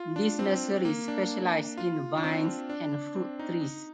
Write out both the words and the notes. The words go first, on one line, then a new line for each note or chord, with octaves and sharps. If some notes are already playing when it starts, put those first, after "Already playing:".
This nursery specialised in vines and fruit trees.
Already playing: F4
D4
C4
A#3
D4
F4
D4
C4
D4
D4
C4
D#4
D#4